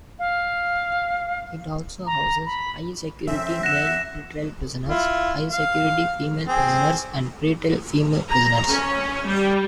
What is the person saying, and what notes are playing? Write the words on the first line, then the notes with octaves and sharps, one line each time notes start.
It also houses high-security male pre-trial prisoners, high-security female prisoners, and pre-trial female prisoners.
F5
A#5
B5
F2 C4 C#4 E5
F#5 A#6 E7
E4 F4
F5
C4 G#4
A#5
C#4
G3